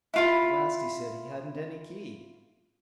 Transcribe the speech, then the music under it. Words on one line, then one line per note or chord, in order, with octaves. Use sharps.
At last he said he hadn't any key.
E4 F4 B5